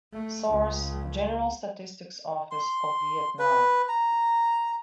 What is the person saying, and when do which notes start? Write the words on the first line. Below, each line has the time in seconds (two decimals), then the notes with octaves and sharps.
Source: General Statistics Office of Vietnam.
0.13 A3
0.50 C#2
2.51 C6
3.39 B4
3.89 A#5